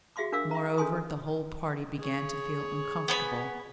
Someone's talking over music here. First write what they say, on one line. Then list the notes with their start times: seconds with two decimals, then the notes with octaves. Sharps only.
Moreover, the whole party began to feel uncomfortable.
0.16 F#4 G#4 E5 F5 C6 D6
0.32 D4 A#4 F5 D6 E6
0.51 E5 A#5
0.77 C#4 G#4 A4 G#5 C6 D#6
1.99 G#4 C#5
3.08 B3 G#5 B5